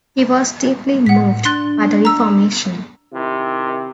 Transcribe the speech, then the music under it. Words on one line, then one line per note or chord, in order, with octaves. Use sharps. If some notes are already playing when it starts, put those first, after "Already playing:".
He was deeply moved by the Reformation.
A2 F#5 B6
D4 C6 F#6 A6
A#5 E6
C3 D#3 E4